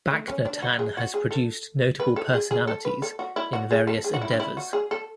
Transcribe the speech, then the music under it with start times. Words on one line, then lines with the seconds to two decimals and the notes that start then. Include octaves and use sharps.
Bacnotan has produced notable personalities in various endeavors.
0.11 A3
0.28 C#4
0.45 D4
0.62 F#4
0.79 G#4
0.97 F#4
1.14 G#4
1.31 A4
2.00 B4
2.16 A4
2.33 G#4
2.51 G#4
2.67 A4
2.85 B4
3.02 A4
3.19 F#4
3.36 E4
3.53 F#4
3.71 G#4
3.87 A4
4.04 G#4
4.14 F#4
4.21 E4
4.31 D4
4.40 E4
4.57 F#4
4.73 G#4
4.91 A4